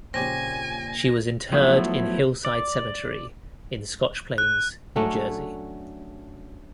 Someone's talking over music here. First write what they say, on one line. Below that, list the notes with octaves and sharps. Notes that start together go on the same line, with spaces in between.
She was interred in Hillside Cemetery in Scotch Plains, New Jersey.
A#1 A#2 C#3 C4 C#4 G4 G#5 A#6
F3 F#3 A3 B3 E4
D5
F#6
F#3 A3 C#4 D4